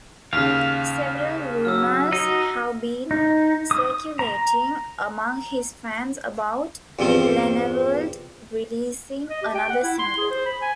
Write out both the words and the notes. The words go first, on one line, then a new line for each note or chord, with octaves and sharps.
Several rumours have been circulating among his fans about Lennevald releasing another single.
D#2 C#3 F5 F6 B6
F#3 E6 F6
D#4 F#4 D#5
D#4
D#6
A#5
E2 G2 F3 C4
D#5
G4
G5
F#5
E4
C6
G#4
C5
B5
G#5